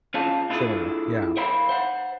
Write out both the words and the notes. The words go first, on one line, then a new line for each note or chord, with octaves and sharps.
Sure. Yeah.
C#4 F4 G#4 C5 F5 A5
D4 E4 F4 G#4 A4
A#4 C5 E5 F5 B5
C5 F#5